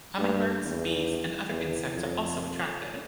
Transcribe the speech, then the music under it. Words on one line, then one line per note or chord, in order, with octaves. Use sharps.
Hummingbirds, bees and other insects are also attracted.
G2
E2
E2
F2